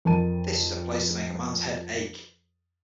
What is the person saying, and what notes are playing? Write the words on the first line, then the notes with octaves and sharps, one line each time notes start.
This is a place to make a man's head ache!
F2 A#4 A5 D#7